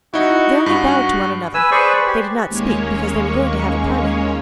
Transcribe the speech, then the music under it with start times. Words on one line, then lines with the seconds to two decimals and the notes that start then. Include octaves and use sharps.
They only bowed to one another; they did not speak, because they were going to have a party.
0.14 D#4 E4 F#4
0.66 G2 F#4
1.54 B4 G#5 E6
1.71 G#4 B4 C5 D5 C#6
2.06 G4
2.47 D#2 G#3 A#3 C#4 C#5